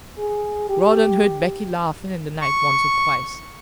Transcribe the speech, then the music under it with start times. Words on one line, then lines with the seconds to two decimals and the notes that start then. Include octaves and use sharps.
Rawdon heard Becky laughing in the night once or twice.
0.18 G#4
0.70 G4
2.42 C#6